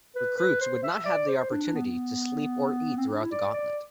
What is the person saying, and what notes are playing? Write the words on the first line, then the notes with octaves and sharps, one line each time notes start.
Recruits would not have the opportunity to sleep or eat throughout the Gauntlet.
B4
B4
C5
E5
D5
C5
D4
D4
B3
B3
C4
D4
E4
D5
D5